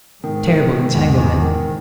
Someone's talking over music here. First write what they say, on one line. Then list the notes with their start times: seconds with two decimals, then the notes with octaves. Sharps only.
Terrible entanglement!
0.23 G#2 D#3
0.47 D#3
0.71 D#3
0.94 E2
1.17 E2
1.42 D#3